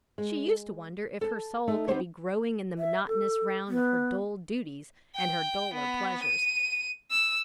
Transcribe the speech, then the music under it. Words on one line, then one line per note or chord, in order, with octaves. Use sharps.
She used to wonder if her soul could be growing in the monotonous round of her dull duties and her duller pleasures.
G#3
A4 A5
A3 D#4 A4
B3 C4 D#4 G4 C5 C#5
E5
A4
B3
G5
B3
D#7
E6